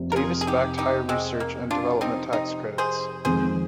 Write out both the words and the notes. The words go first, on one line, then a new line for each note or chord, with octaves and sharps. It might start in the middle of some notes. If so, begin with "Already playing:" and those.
Davis backed higher research and development tax credits.
Already playing: F1 F2 C3
A#4
F4 G#4
G#4
D#4 G4
D#4 G4
G#3 C4
A#3
D4 F4
C4 D#4
C4 D#4
G#4 C5
F2 D#3 G#3 C4 G#4 C5